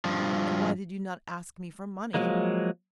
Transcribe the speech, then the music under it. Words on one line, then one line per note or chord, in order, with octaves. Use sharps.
"And why did you not ask me for money?"
G2 F3
F3 F#3 G#3 A#3